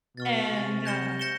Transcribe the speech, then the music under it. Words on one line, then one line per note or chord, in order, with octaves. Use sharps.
And, uh,
B2 C#6 F6 A6
C3 C#6 F6 A6
G6 A#6 C#7 E7 G7
G6 A#6 C#7 E7 G7